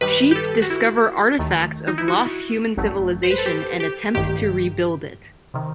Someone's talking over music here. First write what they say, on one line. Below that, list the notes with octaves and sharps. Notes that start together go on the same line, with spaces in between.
Sheep discover artifacts of lost human civilization and attempt to rebuild it.
G2 D#3 G3 B4
G4
A4
F#4
E4
D#2 D#3 A3
D#4
E4
F#4
A1 G2 F#3 A3
C5
B4
A4
G4
G4
A1 G2 D#3 G4
C3 D#3